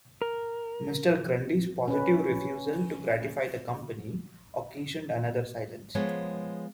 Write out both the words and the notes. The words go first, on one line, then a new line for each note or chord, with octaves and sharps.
Mr. Grundy’s positive refusal to gratify the company occasioned another silence.
A#4
C#4 B4
F3 G#3 B3 C#5